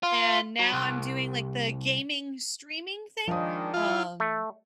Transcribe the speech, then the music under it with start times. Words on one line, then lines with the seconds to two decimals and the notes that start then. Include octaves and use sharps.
And now I'm doing like the gaming streaming thing, um
0.03 F4
0.59 F#3
0.73 C2
3.27 D#3 F3 G#3 D4 D#6
3.74 E4 F4
4.20 A3